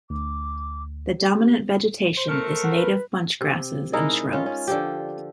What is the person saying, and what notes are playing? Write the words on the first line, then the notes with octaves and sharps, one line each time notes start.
The dominant vegetation is native bunchgrasses and shrubs.
D2 D6
G4
C5
A3 C4 A#4 C#7
F#5
B4
C3
G#3 D#4 E4 A#4
C#4 F4
C#4
D3 F3 G4